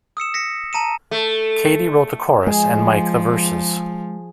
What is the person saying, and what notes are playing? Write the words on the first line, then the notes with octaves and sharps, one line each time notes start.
Katie wrote the chorus and Mike the verses.
D#6 E6 C#7 E7
A#6 B6 C#7
A5 A#5 D#7 E7
A3
F3 G#3 G#4